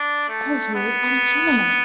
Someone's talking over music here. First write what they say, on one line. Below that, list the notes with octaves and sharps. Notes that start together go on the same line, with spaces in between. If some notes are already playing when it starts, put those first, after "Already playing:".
Oswald and Challoner!
Already playing: D4
A3
B3